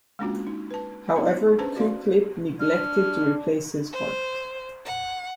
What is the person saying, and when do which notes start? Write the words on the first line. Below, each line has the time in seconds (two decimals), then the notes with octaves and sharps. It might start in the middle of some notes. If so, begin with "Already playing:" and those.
However, Ku-Klip neglected to replace his heart.
0.19 G#3 A#3 C#4 D4 F4 F#4
0.47 D#4
0.71 B4 A5
1.16 B3 D#4 F4
1.58 C#4 D4 G#4 B4 C5 A5
1.76 F#4 D5 F5 C6
2.60 D4 F6
3.93 C5
4.86 F#5